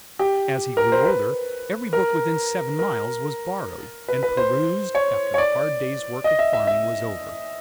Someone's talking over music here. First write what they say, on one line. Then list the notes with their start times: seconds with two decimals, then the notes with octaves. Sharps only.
As he grew older, every book within seven miles was borrowed, and perused after the hard day's work of farming was over.
0.19 G4
0.77 A#4
0.92 C5
1.06 B4
1.93 A#4
2.79 A#4
4.08 B4
4.23 B4
4.37 C5
4.95 C#5
5.34 C#5
5.38 D5
6.24 D#5
6.39 E5
6.53 E5
6.67 E5